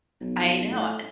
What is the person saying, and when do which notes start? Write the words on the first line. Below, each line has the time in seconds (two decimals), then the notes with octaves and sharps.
I know an
0.21 B1
0.71 A2